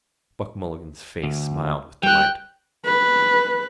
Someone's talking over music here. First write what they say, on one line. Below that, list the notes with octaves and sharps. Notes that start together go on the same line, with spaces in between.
Buck Mulligan's face smiled with delight.
D2
G3 G5 F#6
B4